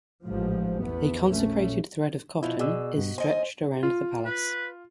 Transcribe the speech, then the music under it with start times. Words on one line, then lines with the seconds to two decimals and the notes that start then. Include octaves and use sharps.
A consecrated thread of cotton is stretched around the palace.
0.24 A1 G#2 F3
0.82 E2 B3
1.28 A#1 A3 C#4
2.43 B2 F3 E4 F4
2.59 B2 G#4 D5 E6
2.98 G2
3.18 D#2 C5 D#5 G#5
3.83 F4
4.25 B4